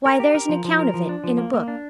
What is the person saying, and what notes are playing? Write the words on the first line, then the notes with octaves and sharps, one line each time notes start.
"Why, there is an account of it in a book."
A#4
G4
A#4
F3
F3
A#4
F3
D4
F3
A#3
A#3
D4